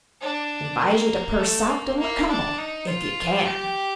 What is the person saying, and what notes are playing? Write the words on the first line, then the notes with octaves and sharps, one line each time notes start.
Advise you to purr soft and look humble--if you can.
D4
A#3
A3
A#3
A#3
D4
D#4
F4
G4